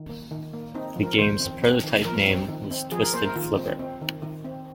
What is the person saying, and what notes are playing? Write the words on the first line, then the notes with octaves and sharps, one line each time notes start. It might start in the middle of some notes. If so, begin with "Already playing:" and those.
The game's prototype name was "Twisted Flipper".
Already playing: D#3
A#3
D#3
A#3
C4 D#4
F3
A#4
D#3 C5
C4
C4
D#3
F3 A#4
C4
D#3
C4
F3 G#4
A#4
A#3 C5
A#4
D#3 F4
C4
C4
D#3
D#3
C4